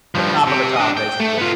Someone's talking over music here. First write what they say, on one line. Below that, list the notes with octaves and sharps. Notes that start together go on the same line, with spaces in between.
The top of the top, basically.
G2 F3
C3
D4 D#5
G5
A3
B3 F4